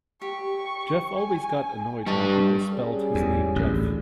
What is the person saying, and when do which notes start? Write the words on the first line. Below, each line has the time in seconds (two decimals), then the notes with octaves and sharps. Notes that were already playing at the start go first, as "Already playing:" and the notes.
Geoff always got annoyed when people spelt his name Jeff.
0.22 G4 C#6
1.17 G#5
2.06 G2 G3 D5 D#5 A5 C#6
2.72 G3 C#4 G#4
3.15 E2
3.56 A1 D2